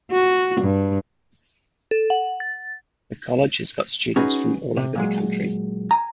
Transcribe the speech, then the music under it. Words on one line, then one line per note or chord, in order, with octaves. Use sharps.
The College has got students from all over the country.
F#4
G2
A4
F#5
A6
C#4 D#4 F#4 G#4 B4
C3
A#2 F#3 G#3
G#5 A#5